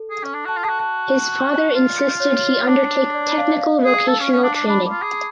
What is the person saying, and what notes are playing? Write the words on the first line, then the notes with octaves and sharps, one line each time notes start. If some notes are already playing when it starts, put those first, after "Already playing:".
His father insisted he undertake technical vocational training.
Already playing: A4
G#4
C#4
D4
F#4 A5
F4
F#4 G#4 A5
F#4 A5
F4
C#5
D4
D5
D5
F5
D5
F5
G#4
A4
C#4
C#4
D4
D4 A5
D4 B5
F4 D6
G#4 D6